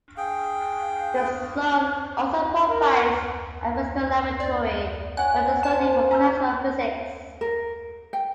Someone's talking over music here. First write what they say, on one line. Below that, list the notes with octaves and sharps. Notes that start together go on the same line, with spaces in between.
The Sun also provides a "physical laboratory" for the study of plasma physics.
G#4 F5 G5
A#4
D5
C#5 F#5 G#5 F#6
C5 A5
C#4 A#5 E6 G6
A#4
G5